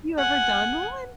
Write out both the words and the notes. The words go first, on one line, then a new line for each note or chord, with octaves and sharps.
you ever done one,
F#5 G#5